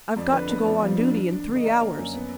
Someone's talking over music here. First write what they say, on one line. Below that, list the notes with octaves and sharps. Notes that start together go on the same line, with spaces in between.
I've got to go on duty in three hours.
F2 D5
D3 B4
B3 B4
F2 D5
F3
D4
D4
D4
D3
D#5
A#3 D5
A#3
F#2
B3